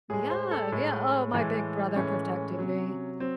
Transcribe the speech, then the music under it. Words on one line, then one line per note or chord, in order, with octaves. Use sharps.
Yeah, yeah. "Oh, my big brother protecting me."
A2 G#3 G#4
C5
A4
A2 G#3
A2 E3 G#3
A2 E3 G#3 C#4
C3 F#3
F#3 C4